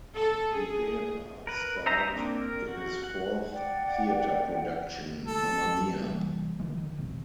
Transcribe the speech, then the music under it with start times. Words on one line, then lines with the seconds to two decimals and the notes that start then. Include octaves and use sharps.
Rivera starred in his fourth theater production, Mamma Mia!
0.15 A4
0.53 G#4
1.47 A#4 B4
1.86 D#4 C5 E5 A#5
2.08 A#3 C4 D4
2.41 A#4
2.68 F#4
3.04 F#5
3.52 D5 F#5 G5
5.27 A4
6.03 C3 E3 G3 A#3
6.60 D3 D#3 F3 G#3
6.78 D#3
6.97 E1 B1 C3